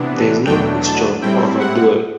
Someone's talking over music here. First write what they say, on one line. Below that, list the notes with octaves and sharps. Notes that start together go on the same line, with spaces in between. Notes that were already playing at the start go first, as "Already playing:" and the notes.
There is no question of a duel.
Already playing: C3 E3 B3 D4
E2 B2 F#3 A3 D4 G5
A5
A2 G3 C4 E4 G5
F#5